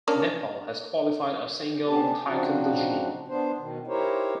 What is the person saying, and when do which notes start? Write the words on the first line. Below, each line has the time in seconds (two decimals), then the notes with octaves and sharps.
Nepal has qualified a single taekwondo jin.
0.08 A#3 C#4 D4
1.87 C3 B3 C#4 D4 G4 A5
2.26 C#3 F3 C4 D4 D#4 F#4
3.28 B3 D4 C5
3.58 B2 D#3
3.87 D#4 E4 G4 A#4 C5 C#5